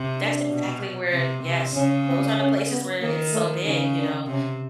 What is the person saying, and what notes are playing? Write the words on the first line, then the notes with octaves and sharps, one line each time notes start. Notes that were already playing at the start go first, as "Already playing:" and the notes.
That's exactly where yes, those are the places where it's so big, you know?
Already playing: C3
D4
B2
C3
C3
C#3 C#4
C4
C#4
B3
D#3 A#3
A3
C#3 D#4
D4
C3 C#4